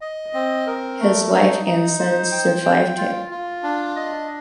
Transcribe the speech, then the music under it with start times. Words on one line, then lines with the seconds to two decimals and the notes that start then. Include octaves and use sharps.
His wife and sons survived him.
0.01 D#5
0.34 C4
0.67 A#4
1.00 A3
1.33 D#4
1.65 D#4
1.99 C5
2.32 G5
2.65 G5
2.97 F4
3.30 F4
3.63 D4
3.96 D#5